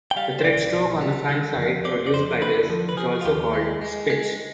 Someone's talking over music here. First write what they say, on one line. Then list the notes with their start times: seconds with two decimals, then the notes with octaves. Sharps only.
The thread stroke on the front side produced by this is also called "stitch".
0.11 G5
0.16 G3 F5
0.39 C5
0.44 B1 D5
0.73 B1
1.01 G3
1.29 D3
1.56 F2
1.85 C4 D5
2.07 D5
2.13 F2 C5
2.41 D3 B4
2.70 F3
2.89 B4
2.97 F3 G#4
3.21 F4
3.25 D#2 G4
3.53 G#3
3.82 G#3
4.10 G#3